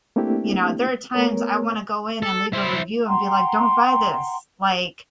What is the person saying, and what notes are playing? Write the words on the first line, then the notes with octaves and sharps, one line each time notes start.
you know, there are times I wanna go in and leave a review and be like, "Don't buy this." like,
A3 A#3 C4 D4 E4 G4
A3 B3 A#4 C#5
A4
E4 C5
F#5 G5 A#5 C6